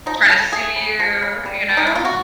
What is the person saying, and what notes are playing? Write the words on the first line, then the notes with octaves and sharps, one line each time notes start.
tryna sue you, you know.
F3 D#4
C#3 A4
A3 G#4
C#3
F3
C#3
G3
B2
D#4
E4
A#3 F4
F#4